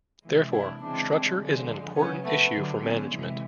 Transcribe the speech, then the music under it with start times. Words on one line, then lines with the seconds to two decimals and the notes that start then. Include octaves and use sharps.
Therefore, structure is an important issue for management.
0.23 C3 E3 G#3
0.51 D4 E4
0.80 C#3 E3 G#3 C4 D4
1.38 D3 F3 G#3
1.95 C#3 F#3 B3 C#4
2.24 A3 B3
2.53 D3 F#3
2.81 B3 C#4
3.10 C3 E3 G#3